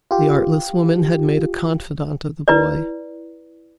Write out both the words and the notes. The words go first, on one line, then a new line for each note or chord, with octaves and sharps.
The artless woman had made a confidant of the boy.
F4 G4
E4 B4 D5